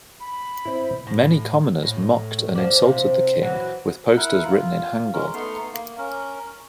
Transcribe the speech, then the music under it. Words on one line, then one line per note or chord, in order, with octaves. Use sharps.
Many commoners mocked and insulted the king with posters written in hangul.
B5
C4 E4
A2
A2
F3 D4
C3
E3 F#3
E4 A#4 F#5
F4
G#3 C#4 A#4
A3 B3 D#4 C6
A#3
C#4 A#4